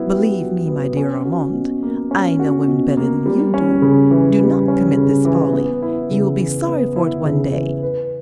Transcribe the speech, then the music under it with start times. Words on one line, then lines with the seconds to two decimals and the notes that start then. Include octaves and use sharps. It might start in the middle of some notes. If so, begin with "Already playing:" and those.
Believe me, my dear Armand, I know women better than you do; do not commit this folly; you will be sorry for it one day.
Already playing: F#3 B3 E4
0.11 G4
0.40 F#3
0.68 B3
0.97 C#4
1.25 F#4
1.53 B2
1.83 A#3
2.11 C#4
2.39 F#4
2.68 B2
2.97 A#3
3.26 G3
3.54 C#4
3.82 C#3
4.11 E3
4.39 G3
4.68 C#4
4.97 C#3
5.25 E3
5.53 B3
5.82 E4
6.11 C#3
6.40 E3
6.68 B3
6.96 E4
7.25 C#3
7.54 E3
7.83 B4